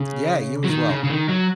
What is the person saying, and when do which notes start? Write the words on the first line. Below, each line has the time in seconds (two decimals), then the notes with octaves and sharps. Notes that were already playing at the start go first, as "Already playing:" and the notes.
Yeah, you as well.
Already playing: C#3
0.64 F#3
0.69 D#3
0.90 C#3
1.04 C#3
1.10 D#3
1.29 F#3